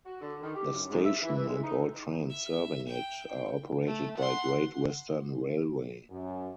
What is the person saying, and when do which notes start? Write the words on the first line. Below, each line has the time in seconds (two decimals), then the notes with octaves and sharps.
The station, and all trains serving it, are operated by Great Western Railway.
0.06 F#4
0.22 D3
0.42 D#3
0.56 G4
0.74 F#2
0.91 G#2
1.05 E5
1.23 E3
1.36 E3
1.48 G#3
1.63 D#4
2.30 E5
2.88 G5
3.87 A3
4.18 F#5 C6
6.10 F#2